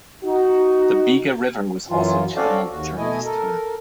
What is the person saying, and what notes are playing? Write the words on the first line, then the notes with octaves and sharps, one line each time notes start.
The Bega river was also channelled during this time.
D#4 F#4
F#2 E3 F#3 F4
C4 C#4 F#4 A4 D5 F5
D#2 F#4
B2 A3 E4 D#5 G#5
A4 A#4